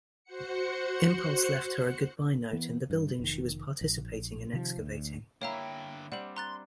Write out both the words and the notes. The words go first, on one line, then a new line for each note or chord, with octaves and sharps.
Impulse left her a goodbye note in the building she was participating in excavating.
F#4 C5 F#5 C#7
E3 B3
G2
F1 D#3
A#1
C3 D#3 F3
D2
D3 A#3 E4 C#5 F5 G5 A#5
G3 C4 D4 F#5 F#7
A#5 C6 F#6 A6